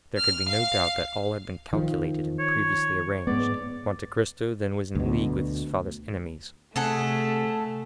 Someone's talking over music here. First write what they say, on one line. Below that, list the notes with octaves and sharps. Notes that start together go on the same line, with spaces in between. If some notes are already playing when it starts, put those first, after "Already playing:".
There could be no doubt that all had been calculated and previously arranged; Monte Cristo then was in league with his father's enemies.
F6
F5
D#3 F3
C#5
G#2 G#3 B3 D5
D2 B2
C3 A3 G#4 A4 F#5